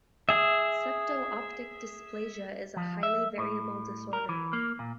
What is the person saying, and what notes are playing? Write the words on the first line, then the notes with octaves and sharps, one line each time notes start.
Septo-optic dysplasia is a highly variable disorder.
G#4 E5
F3
E5
A2
A#4
E3
A#3
A#2